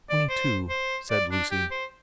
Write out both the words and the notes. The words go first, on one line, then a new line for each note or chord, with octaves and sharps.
'Twenty-two,' said Lucy.
D5
C5
C5
D5
D4
G4
C5